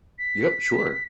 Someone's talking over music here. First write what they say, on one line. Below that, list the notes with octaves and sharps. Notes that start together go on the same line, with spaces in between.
Yep, sure.
B6